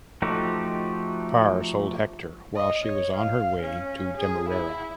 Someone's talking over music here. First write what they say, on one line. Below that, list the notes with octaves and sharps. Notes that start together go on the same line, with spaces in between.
Parr sold "Hector" while she was on her way to Demerara.
F3 A3 D#4 F#4 G4
D#5
C#5
F5
C#4
G#4
E4